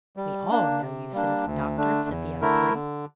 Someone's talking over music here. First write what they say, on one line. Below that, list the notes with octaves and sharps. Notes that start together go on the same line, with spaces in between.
"We all know you, Citizen Doctor," said the other three.
G3
A#3 D4
C3
G3 A#3 D4
D2
D3 A3 D4
E2
D3 A3 E4 A#4
D3